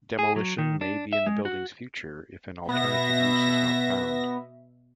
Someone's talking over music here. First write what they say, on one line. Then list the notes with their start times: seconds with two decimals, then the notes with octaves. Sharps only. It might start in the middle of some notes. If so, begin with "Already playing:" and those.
Demolition may be in the building's future if an alternate use is not found.
0.19 G#4
0.36 F#3
0.58 D#3
0.81 D4
1.13 E5
1.27 G#3
1.45 F#4
2.69 B2 B3 E5 A#6